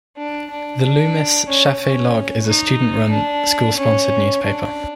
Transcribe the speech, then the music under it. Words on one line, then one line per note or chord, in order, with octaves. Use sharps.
The Loomis Chaffee Log is a student-run, school-sponsored newspaper.
D4
D4
D4
C#4
C#4
D#4
D4
C#4
D4